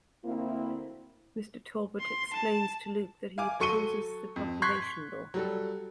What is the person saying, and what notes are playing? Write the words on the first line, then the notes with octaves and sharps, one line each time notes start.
Mr. Talbot explains to Luke that he opposes the Population Law.
D2 A#3 C4 E4
C6
A5
F5 G#5 D6
F#3 A4 C#6 C#7 D#7 G7
F2
C6 C#6 F#6 G#6 B6 C7
F#3 G3 A4